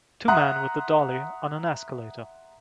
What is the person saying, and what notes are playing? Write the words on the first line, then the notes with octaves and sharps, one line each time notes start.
Two men with a dolly on an escalator.
E5 F#5 A#5 C6 D#6 F#6